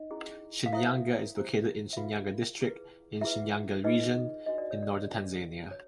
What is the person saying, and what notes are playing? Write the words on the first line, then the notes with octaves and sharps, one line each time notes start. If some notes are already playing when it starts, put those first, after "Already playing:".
Shinyanga is located in Shinyanga District, in Shinyanga Region, in northern Tanzania.
Already playing: D#4 D#5
C#4 E4 G#4
F5
E4 A4 C5 E5
E4 A4 C5
E5
E4 F4 G#4 B4 F5
E4 G#4 B4
E4 F4 G#4 B4 E5
D#4 F4 G#4 B4 D#5
D4 F#4 B4 D#5
D5
C#5
D5
D4 F#4 B4
C#5